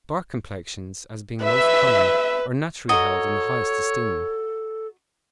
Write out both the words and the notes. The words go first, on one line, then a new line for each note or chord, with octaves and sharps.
Dark complexions, as being most common, are naturally held in the highest esteem.
B4 E5
F#4 A4 C#5 D#5 A#5